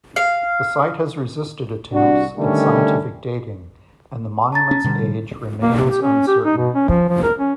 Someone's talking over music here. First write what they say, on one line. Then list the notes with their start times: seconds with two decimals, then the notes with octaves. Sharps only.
The site has resisted attempts at scientific dating and the monument's age remains uncertain.
0.16 F5
1.92 C2 D4 F#4
2.38 D3 D#3 G3 A3 C#4
4.52 A5 A#5 A6
4.71 C#4
4.84 B2 D3 G3
5.62 A#3
5.78 C3
5.90 G4
6.02 C#4
6.27 G4
6.44 D#4
6.57 B2
6.75 C#4
6.89 F3
7.09 F3
7.23 A#4
7.38 C#4